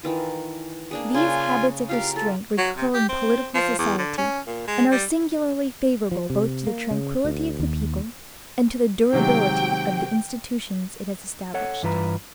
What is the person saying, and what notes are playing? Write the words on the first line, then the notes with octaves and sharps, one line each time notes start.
These habits of restraint recur in political society, and are singularly favorable both to the tranquillity of the people and to the durability of the institutions it has established.
D#3 E3 F4
A#3 D4 G#4
C#3 D4 F4 G#5
F4 G4 A#4 F5
F4 A4
F#3
C3
G4
C4
F3
E2
D3
C#4
A#2
G#3
G3
F3
C3
A#3
C#3
D2
D#2
C3 D#3 F#3 G#3 G5
A4 C#5 F#5
G2 E3 F4 B4 A5 A#5